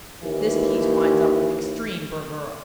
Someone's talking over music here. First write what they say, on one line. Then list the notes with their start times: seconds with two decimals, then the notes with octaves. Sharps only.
This piece winds up with extreme bravura.
0.23 D#2 E3